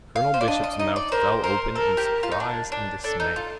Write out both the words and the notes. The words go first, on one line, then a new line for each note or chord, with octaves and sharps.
Colonel Bishop's mouth fell open in surprise and dismay.
F5
C5
D5
D4 D#5
D#5
D#4 D#5
D5
A#4 C5
A#4 C5
A4 A#4
G4
F4
D#4
D4
D4
D4 A4
D#4
F4